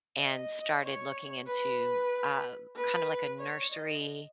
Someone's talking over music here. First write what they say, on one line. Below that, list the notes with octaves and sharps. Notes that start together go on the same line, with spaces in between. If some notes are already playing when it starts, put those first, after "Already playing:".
and started looking into, uh, kind of like a nursery,
D#5
C#5
B4
B4
C#5
D#5